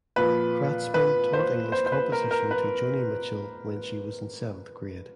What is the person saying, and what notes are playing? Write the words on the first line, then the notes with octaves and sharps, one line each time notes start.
Kratzmann taught English composition to Joni Mitchell when she was in seventh grade.
A#2 F3 B4
B4
C5
C5
C5
B4
A#4
A#4
B4